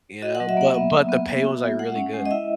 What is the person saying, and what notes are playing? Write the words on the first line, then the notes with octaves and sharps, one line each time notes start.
you know, but but the pay was, like, really good,
F#4 D#5
F#5
F#3
E5
A#3 F#5
B3 E5
B3
B3
A#3
F#4
F#4
G#3 F#5
C#4
G#3
D#5
E4 E5